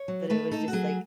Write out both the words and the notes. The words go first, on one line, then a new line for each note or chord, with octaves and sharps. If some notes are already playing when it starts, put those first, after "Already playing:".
but it was just like
Already playing: C#5
F#3
A3 B4
D#4 A4
F#4
F#3 G#4